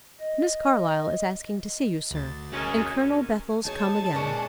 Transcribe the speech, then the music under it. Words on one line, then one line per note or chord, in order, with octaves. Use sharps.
"Miss Carlyle is asking to see you, sir, and Colonel Bethel's come again."
D#5
D2 A6
G#3 C#4 F#4 A#4
D#4 G#4 C#5 A5
A#2 G#3 C#4 D4